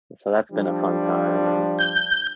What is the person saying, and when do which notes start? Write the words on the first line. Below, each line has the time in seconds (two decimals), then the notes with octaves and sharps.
And so that's been a fun time, and,
0.51 F3 G3 D4
1.79 G6